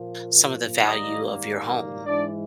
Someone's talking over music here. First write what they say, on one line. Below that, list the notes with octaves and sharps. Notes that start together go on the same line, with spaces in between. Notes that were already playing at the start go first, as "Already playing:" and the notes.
some of the value of your home.
Already playing: A#2 F3 A#3
G#2 D#3 G3 A#3 D#4 D#5
G#2 E3 G#3 D4 D5